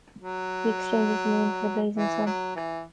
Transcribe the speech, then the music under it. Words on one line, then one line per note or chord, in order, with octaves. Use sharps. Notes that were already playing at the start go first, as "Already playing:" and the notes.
He exchanges the moon for the blazing sun.
F#3
E3
F#3
E3